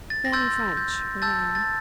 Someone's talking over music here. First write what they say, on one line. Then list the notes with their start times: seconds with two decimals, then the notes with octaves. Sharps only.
Fanny French, her name.
0.10 A6
0.25 A#6
0.32 C6 E6 G6 A6
0.77 G6
1.22 A5 E6 G6 A6
1.55 A6